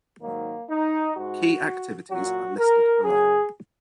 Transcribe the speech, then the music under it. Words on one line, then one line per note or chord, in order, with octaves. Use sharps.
Key activities are listed below.
G#2 D#3 F#3 A#3
D#4
G#2 G#3 F#4
A#2 F#3 F#4
A#4
F#2 C#3 F#3 G#4